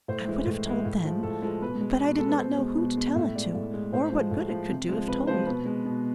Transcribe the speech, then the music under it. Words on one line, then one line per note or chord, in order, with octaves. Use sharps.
I would have told then, but I did not know who to tell it to, or what good it could do if told.
A2 C5
E3 G#3
A2
E3 G#3
A2
F3 G#3
A2 A4
F3 G#3 A4
B2 B4
G#3
B2
G#3 A4
B4
B2 C5
G#3
B2
G#3
A2 E5
G#3 D5
A2
G#3
A2 C5
F3 G#3
A2
F3 G#3
C3
F3 G#3
C3 B4
F3 G#3 C5
B2 B4
G#3
B2